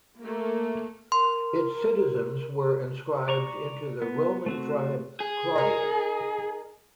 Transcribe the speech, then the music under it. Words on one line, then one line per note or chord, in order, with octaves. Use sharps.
Its citizens were inscribed into the Roman tribe, "Claudia".
A3 A#3
A#4 C6
D5 A#5 C#6
B3
A3 C4 F#4
G#4
D#4 A#4